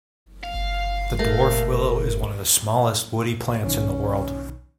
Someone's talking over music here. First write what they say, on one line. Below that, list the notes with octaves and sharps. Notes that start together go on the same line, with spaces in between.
The dwarf willow is one of the smallest woody plants in the world.
F5
A#2 A3 A#4
B1 D#3 C#4